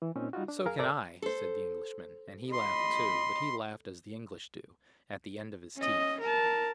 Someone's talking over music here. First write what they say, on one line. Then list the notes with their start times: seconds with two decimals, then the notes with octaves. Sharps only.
"So can I," said the Englishman, and he laughed too; but he laughed as the English do, "at the end of his teeth."
0.02 E3
0.15 A#2 C4 C#4 D#4
0.33 G3 D#4 F4 F#4
0.48 D4
0.66 F#2 G#4 A#4 F5 A#5
0.78 C#2 G#2 A4 A#4 D5 A#5
1.22 A4 C5
2.53 D#5 B5 C6
5.77 C#4 D#5
6.20 A#4 A5